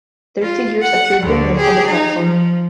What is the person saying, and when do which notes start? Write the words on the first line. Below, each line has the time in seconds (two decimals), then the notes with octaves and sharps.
Their figures appeared dimly on the platform.
0.42 F4
0.82 F#5
1.22 D2 D3
1.57 G4 G#4
1.86 D#4
2.21 F3